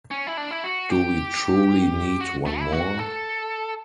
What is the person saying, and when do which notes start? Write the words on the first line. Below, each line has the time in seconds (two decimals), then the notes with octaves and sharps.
Do we truly need one more?
0.11 C#4
0.27 E4
0.37 D4
0.51 E4
0.64 F#4
0.90 G4
2.21 F#4
2.47 A3
2.60 E4
2.73 F#4
2.99 A4